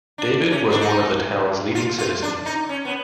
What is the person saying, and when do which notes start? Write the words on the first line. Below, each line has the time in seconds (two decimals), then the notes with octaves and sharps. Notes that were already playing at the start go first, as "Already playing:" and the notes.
David was one of the town's leading citizens.
0.18 D4
0.50 C#4
0.70 D4
0.81 D#4
1.75 F4
1.98 F4
2.23 D4
2.46 D#4
2.69 C#4
2.85 B3